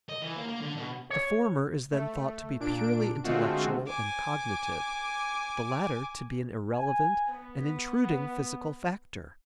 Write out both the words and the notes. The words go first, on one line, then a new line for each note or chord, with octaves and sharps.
The former is then thought to be purely intellectual and cognitive; the latter to be an irrelevant and intruding physical factor.
D#5
E3
A#3
A#3
D3
B2
C#5
A3
A#2 D4 D7
D3 G#3 A3 C4 F4 F#4
G#5 D6
G#5
B3